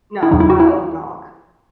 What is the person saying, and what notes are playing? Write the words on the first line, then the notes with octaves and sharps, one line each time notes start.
No, my old dog.
E4
E2 C#3 F#3 D#4
E4
F#4
E4